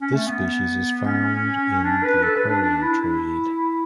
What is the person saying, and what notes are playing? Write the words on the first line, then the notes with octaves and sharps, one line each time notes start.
This species is found in the aquarium trade.
C#4
A3
B3
C#4
D4
B4
A4
B4
D4
D4
E4
E4